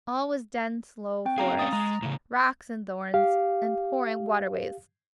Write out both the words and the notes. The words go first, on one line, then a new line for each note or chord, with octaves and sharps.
All was dense low forest, rocks and thorns, and pouring waterways.
C4 G5
C#4 F#4 G#4 F5 A#5
C4 C#4 D#6 A6
G#3 A#5
A2 C#3
G4 F5